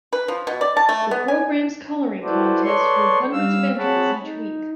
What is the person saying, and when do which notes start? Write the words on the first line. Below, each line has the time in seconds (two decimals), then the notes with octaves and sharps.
The program's coloring contest drew hundreds of entries each week.
0.13 B4
0.28 F3
0.47 B2
0.61 D5
0.77 A5
0.89 A3
1.11 B3
1.28 G#5
2.23 E4 F#4 A4 B4 C5 D5
2.63 A4 B4 C#5 D5 C6 C#6
3.32 G3 F5 E6
3.78 C4 G#4 C#5 F#5 A5 B5
4.23 D#4